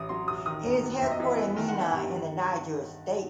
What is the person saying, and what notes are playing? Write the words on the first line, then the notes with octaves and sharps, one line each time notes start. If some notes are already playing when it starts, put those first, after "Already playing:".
It is headquartered in Minna in the Niger State.
Already playing: A1 D#6
F#3 C6
A1 D#6
D#3 D#6
F#2
B3
F#2 E5
D#5
E3 E5
B3
D#3 G5
F#5
D#3 E5
G2 F#5
D#3